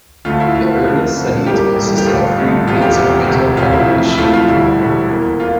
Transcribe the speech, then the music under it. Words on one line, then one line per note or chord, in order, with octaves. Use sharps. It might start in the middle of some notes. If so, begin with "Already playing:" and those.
The earliest suneate consisted of three plates of metal covering the shin.
D2 D3 A3 F4
E4
D2 D3 A3 F4
F2 D3 A3
F2 D3 A3
A1 G2 E3 G3 A#3 G4
A1 G2 E3 G3 A#3
G4
A1 G2 D3 A3 F4
A1 G2 D3 A3
F1 E2 C3 F4
G4
F1 E2 C3
E1 D2 C3
E1 D2 C3 F4
E4
F2 E3 A3
E4
F2 E3 A3 F4
F4
E1 D2 D3 G3 E4
E1 D2 D3 G3
E2 E3 A#3
E3 A#3 F4